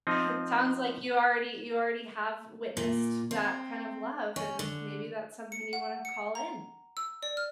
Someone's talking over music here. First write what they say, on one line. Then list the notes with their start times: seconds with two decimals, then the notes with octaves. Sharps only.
It sounds like you already you already have witnessed that kind of love and maybe that's something you want to call in.
0.07 F3 C4 D#4
2.77 A#2
3.31 C4
4.36 C#4
4.59 D3
5.52 C#7
5.73 F#5
6.05 C#7
6.35 A#5
6.97 E6
7.23 D5
7.37 F6